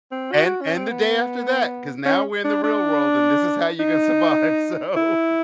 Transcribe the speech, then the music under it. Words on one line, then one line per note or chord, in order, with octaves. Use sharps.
and and the day after that, 'cause now we're in the real world, and this is how you're gonna survive, so
C4
F#4
F#4
C#4
C4
B3
C#4
D4
D4
D#4
E4